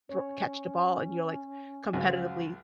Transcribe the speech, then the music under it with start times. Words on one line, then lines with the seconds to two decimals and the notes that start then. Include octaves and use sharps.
thr catch the ball, and you're, like, competitively
0.09 C#4 C#5
1.93 C#2 F#2 F#4 C5 F5